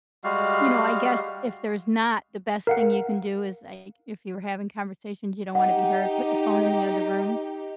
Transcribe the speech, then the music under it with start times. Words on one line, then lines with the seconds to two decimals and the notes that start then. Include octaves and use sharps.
you know, I guess if there's not, the best thing you can do is, like, if you were having conversations, you don't wanna be heard, put your phone in the other room.
0.24 G3 G#3 F#4 F5
2.67 A#4 F5 F#5
5.55 D#4 G4 F#5